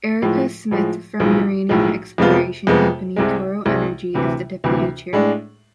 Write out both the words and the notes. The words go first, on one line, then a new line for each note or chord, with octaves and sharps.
Erica Smyth from uranium exploration company Toro Energy is the Deputy Chair.
A2 F3 G#3
A2 F3 G#3
B1 A2 F3 G#3
B1 A2 F3 G#3
F2 C3 G#3 B3 F4
F2 C3 G#3 B3 F4
C2 C3 G#3
C2 C3 G#3
D2 C3 E3
D2 C3 E3
A2 G#3 D4